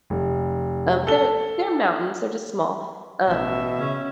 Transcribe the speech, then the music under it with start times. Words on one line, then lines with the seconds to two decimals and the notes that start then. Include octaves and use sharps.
um, they're they're mountains, they're just small, um,
0.10 F1
1.07 A4 G7
3.28 A1 B2 E5
3.79 C#3 C#4